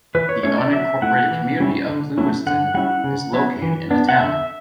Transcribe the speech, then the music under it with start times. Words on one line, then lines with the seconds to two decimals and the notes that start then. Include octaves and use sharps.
The unincorporated community of Lewiston is located in the town.
0.15 E3 B4
0.29 C#5
0.43 A3 C#4 E4 C#5
0.58 D5
0.72 F#3 E5
1.02 A3 E4 F#5
1.30 E3
1.60 G3 C#4 E4
1.88 D3
2.18 F#3 A3 C#4 E4
2.47 D3 F#5
2.74 G3 C#4 E4 F#5
3.04 C#3
3.33 F#3 B3 E4
3.62 E3
3.91 B3 D4
4.09 F#5
4.19 D3 E5